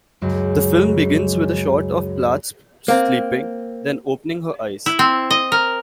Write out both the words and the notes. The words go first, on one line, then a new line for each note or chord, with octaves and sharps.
The film begins with a shot of Plath sleeping, then opening her eyes.
C#2 F#2
A#3 C4
E4
C4
D#5
A#4